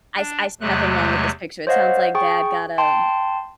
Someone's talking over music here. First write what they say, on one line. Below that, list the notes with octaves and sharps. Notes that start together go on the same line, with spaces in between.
I s I see nothing wrong with this picture. It sounds like dad got a
D4
E2 C3 F#3 G#3 A3 F#6
C5 C#5 D#5 F5 F#5
G#4 G5 C#6
G5 A5 C6